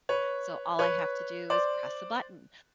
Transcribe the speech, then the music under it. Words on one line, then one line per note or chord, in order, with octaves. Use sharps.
so all I have to do is press a button,
B4 C#5
B4 C#5
C5 D5